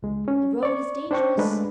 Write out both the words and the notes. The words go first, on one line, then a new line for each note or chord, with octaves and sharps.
"The road is dangerous."
C#2 G#3
C#4
D5 C#6
D4 C5 G5 C#6
G#3 A3 D4 B4